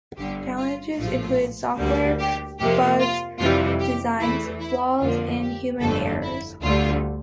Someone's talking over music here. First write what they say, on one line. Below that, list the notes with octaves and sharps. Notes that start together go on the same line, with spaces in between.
Challenges include software bugs, design flaws, and human errors.
G1 G2 D3 G4
F4
A#1 A2 F3 A3 F4
D2 D3 G3 A#3
G4
F2 C3 F3 A#3 G4
F4
F2 C3 E3 G3 F4
G4
E2 E3 A3 E4
E4
F2 D3 F3 A#3 F4
G4
G1 F2 D3 A3 A4
E4
D2 D3 G3 F4